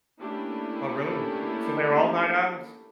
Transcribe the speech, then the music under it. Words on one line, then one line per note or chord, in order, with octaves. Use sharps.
Oh, really? S So they're all night owls?
A3 A#3 C#4 D4 E4 G4